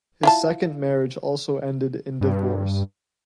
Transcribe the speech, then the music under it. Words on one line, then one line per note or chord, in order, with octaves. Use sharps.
His second marriage also ended in divorce.
E4 F4 A5
G2